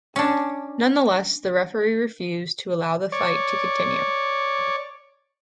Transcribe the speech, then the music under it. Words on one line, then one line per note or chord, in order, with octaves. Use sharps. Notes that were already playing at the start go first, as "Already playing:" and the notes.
Nonetheless, the referee refused to allow the fight to continue.
C#4 D4
C#5 D5